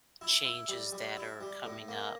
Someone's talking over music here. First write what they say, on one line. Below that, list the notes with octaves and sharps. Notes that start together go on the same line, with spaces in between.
changes that are coming up
E4
E4
G3
G3
E4
G3
A2
A#3